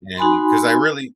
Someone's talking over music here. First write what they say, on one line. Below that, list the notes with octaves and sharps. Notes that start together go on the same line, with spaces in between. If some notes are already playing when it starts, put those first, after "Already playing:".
and 'cause I really
D#4 F#4 G#5 B5 C6